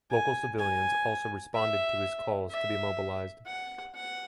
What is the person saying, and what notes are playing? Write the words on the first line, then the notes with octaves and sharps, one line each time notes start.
Local civilians also responded to his calls to be mobilized.
G#5
G#5
E5
E5
F#5
F#5